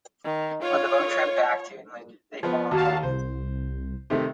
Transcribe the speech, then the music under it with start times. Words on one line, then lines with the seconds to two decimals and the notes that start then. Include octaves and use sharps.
On the boat trip back to England, they fall in love.
0.25 D#3
0.63 F4 C#5
2.43 F3 B3
2.71 D#2 F#4 F5 A5
3.03 C2 C5
4.10 C3 D#3 A3